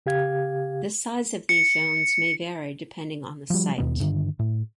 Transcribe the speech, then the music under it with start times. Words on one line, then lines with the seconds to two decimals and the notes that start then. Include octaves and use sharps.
The size of these zones may vary depending on the site.
0.06 C#3 G4 F5 G#6
1.49 C#7
3.50 F3 G3
3.78 D#2 B2 B3
4.00 G2 D3 D#3
4.39 A2